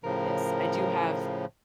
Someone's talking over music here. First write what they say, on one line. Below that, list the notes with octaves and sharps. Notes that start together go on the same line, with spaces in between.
Yes, I do have
A2 C#3 F3 A#4